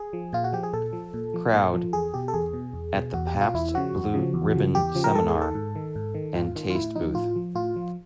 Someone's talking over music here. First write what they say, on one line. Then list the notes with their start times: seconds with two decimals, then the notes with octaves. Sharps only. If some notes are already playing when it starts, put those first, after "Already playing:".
Crowd at the Pabst Blue Ribbon seminar and taste booth.
Already playing: G#4
0.13 F3
0.33 A#2 F4
0.44 F#4
0.53 F3 G4
0.63 G#4
0.73 A#2 A4
0.93 F3
1.14 A#2
1.34 F3
1.53 A#2
1.73 F3
1.93 E2 G#4
2.14 B2 G4
2.28 A4
2.34 E2 G#4
2.53 B2
2.73 E2
2.94 B2
3.14 E2 F#4
3.27 G4
3.34 B2
3.41 F4
3.54 E2 E4
3.74 C#3 F3 F#4
3.95 E2
4.14 C#3 F3
4.34 E2
4.55 C#3 F3
4.74 E2 G4
4.94 C#3 F3
5.04 A#4
5.15 G#2 A4
5.28 G#4
5.35 D#3
5.41 A4
5.55 G#2
5.75 D#3
5.96 G#2
6.15 D#3
6.35 G#2 F4
6.56 D#3
6.70 F4
6.75 A2 E4
6.95 F3 D#4
7.15 A2 F4
7.36 F3
7.55 A2 F4
7.76 F3